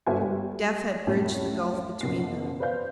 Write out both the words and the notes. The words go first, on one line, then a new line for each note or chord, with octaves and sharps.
Death had bridged the gulf between them.
G1 F#4 A4 C5 E5 G#5
G3
C2 F#2 A2
F#1 B2 C7
B4 C5 D5 F5 G6